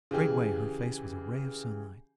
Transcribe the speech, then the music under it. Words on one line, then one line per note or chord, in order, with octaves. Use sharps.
Straightway her face was a ray of sunlight.
C#3 E3 G4 G#4